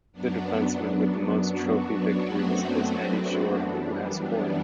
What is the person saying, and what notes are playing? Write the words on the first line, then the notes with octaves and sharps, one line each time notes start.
The defenseman with the most trophy victories is Eddie Shore, who has four.
F#2 F#3 B3 D4
B3 D4
B3 D4
D4 F#4
B3 D4
A3 C4
B3 D4
F#2 E3 G3